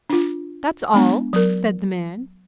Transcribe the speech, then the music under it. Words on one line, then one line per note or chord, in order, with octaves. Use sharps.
"That's all," said the man.
D4 F4
G#3 B3 D4
F#3 A#4